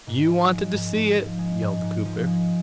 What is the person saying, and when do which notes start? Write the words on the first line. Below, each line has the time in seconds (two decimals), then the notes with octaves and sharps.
"You wanted to see it," yelled Cooper.
0.07 G#2
0.29 F3
0.52 G#3
0.73 G#2
0.95 G#2
1.16 F3
1.38 G#3
1.61 G#2
1.83 G#2
2.05 F3
2.27 G#3